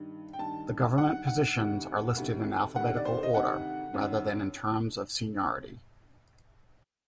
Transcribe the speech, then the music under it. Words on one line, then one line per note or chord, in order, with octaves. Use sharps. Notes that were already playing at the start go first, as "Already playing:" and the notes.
The government positions are listed in alphabetical order, rather than in terms of seniority.
Already playing: G2 D#3
G5
G2 D#3 A5
G2 D#3 F#5
F#5
D2 C3 D#3
D2 C3 D#3
D2 C3 D#3 F#5
D5
C5
D#5
D2 C3 D#3 F#5
F#2 D#3